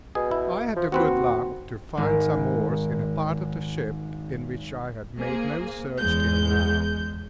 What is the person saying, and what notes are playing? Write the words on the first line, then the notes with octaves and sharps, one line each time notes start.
I had the good luck to find some oars in a part of the ship, in which I had made no search till now.
B2 G#4
E4
F3
D#2 C4 F#4 B4
G#1 D#3
A#3 G#4 C5
E2 G#3 G6